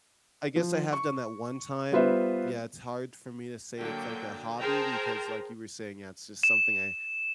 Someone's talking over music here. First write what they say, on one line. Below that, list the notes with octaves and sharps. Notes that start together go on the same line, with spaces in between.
I guess I have done that one time. Yeah, it's hard for me to say it's, like, a hobby because, like, you were saying, yeah, it's just something I
F3
C#6
G3 B3 F4 B4 C5 E5
D3 F#3 A#3 D4 G5
G#4 A#4 C5 G5 A5 A#5
E7